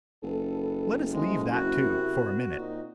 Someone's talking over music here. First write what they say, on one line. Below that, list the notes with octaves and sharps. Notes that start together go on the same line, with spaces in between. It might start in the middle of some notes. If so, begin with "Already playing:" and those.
Let us leave that, too, for a minute.
F#1 A4 B4
F3 G#3 A3
C4 E4 F#4 A#4
C3
A#2 C4 D#4 F4